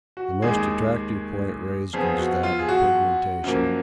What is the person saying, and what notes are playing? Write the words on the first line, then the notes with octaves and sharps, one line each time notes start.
The most attractive point raised was that of pigmentation.
F#4
D#2 D#3 G#3 G#4
F2 F3 B3 G#4
F#4
F4
G#4
F#4
F#2 F3 A#3